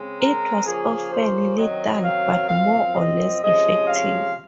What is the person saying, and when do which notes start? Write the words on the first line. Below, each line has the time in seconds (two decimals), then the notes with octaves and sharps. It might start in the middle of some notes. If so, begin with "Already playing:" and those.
It was often lethal, but more or less effective.
Already playing: C#3 G#3 C4
0.20 A#4
0.66 C#3 F3 A#3 C#4 G#4
1.11 C5
1.58 F#2 D#3 F#3 C4 D#5
2.03 F5
2.49 F#2 F3 C4 F5
2.95 D#5
3.41 C3 F3 G#3 C#4 D#5
3.87 F5